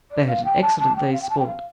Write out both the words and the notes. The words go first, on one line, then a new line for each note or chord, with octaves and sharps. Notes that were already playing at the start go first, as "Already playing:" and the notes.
They had an excellent day's sport.
D5
F5
G5
A5
A5
G5
F5
G5
A5
G5
F5